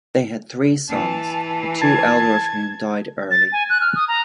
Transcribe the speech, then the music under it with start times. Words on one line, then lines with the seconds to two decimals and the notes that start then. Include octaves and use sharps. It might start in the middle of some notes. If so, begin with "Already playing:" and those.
They had three sons, the two elder of whom died early.
0.89 E3 A5
1.82 A5 G#6
3.31 A6
3.52 G#5
3.70 F#6
3.81 F6
3.95 D#6
4.08 A#5